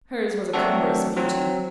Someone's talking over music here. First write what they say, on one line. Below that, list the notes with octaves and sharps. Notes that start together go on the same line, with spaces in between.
Hers was a cumbrous beauty.
F#3 A3 C4 D4 F#4 A4
F#3 C4